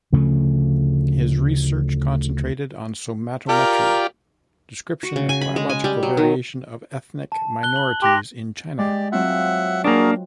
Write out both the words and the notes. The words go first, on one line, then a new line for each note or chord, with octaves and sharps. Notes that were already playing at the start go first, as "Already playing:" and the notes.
His research concentrated on somatometry, description of biological variation of ethnic minorities in China.
D2 C#3 F3 A3
F4 G4 A#4 D5
F#4
C#3
G#5
B5
G#3
G#5
G3
F#3
D#3
A5
F#6 G7
F#7
G4 C6 F#6 A#6
G#3 G4 D5
F#3 C4 F4 E5 F#5
A#3 D4 F#4 G#4 A#4